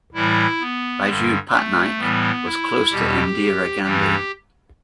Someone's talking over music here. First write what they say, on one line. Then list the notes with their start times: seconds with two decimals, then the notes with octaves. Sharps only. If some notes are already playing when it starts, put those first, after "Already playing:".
Biju Patnaik was close to Indira Gandhi.
0.14 A2 E3 G3 E4
0.61 B3
1.07 G2 D3 G3
1.52 A3
1.99 A2 E3 G3 B3
2.45 E4
2.91 E2 B2 G3 G4
3.83 G2 E3 G3 G4